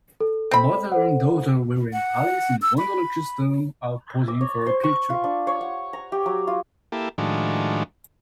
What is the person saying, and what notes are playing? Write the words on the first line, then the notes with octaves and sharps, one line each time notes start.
Mother and daughter wearing Alice in wonderland customs are posing for a picture.
A4
C4 B5
A4 C5 F#5
F#5
E6
B5
D6
C#5
C5
C#6
F4
D4
C#5
F#5
A#5
G4
F#3
F4
A#3 E4 G4 A4
A2 D#3 F3 G#3 D4 F#4